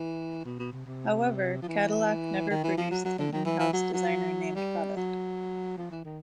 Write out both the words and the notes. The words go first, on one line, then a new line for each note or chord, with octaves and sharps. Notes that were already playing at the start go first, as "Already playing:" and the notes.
However, Cadillac never produced an in-house designer-named product.
Already playing: E3
B2
B2
C3
C3
F3
E3
D#3
E3
F3
F#3
F#3
D3
D#3
E3
E3
F#3
F#3
G3
F#3
F3
E3
D#3